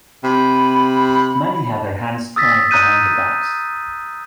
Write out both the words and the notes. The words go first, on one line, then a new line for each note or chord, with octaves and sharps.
Many had their hands tied behind their backs.
C3 B5
D#6 E6 A6 B6
A#5 D#6 F#6 G6 D#7